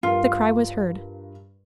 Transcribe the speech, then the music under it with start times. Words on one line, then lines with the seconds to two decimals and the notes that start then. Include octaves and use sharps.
The cry was heard.
0.03 G2 F4 A#4